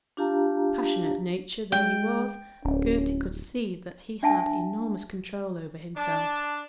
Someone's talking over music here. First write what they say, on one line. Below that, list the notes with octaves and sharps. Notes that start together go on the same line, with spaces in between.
Passionate nature though he was Gerty could see that he had enormous control over himself.
D4 F4 G4 F5 A5 A#5
G#3 G5
D1 C#4
D4 E5 F#5 G#5 A5
D4 A5